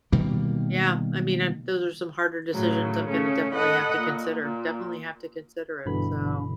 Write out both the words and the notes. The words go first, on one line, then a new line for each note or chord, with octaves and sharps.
Yeah, I mean, I those are some harder decisions I'm gonna definitely have to consider, definitely have to consider it, so
B2 D#3 G3 A#3
A2 C#3 F#3
C#3 A3 C#4
A4 D#5 F#5 B5
A#2
A#2
G1 G2 B2 D3 E3 B5